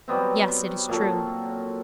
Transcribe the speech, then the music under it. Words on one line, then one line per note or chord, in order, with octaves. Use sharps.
Yes, it is true.
F#3 G3 B3 C4
A#2 F#3 A4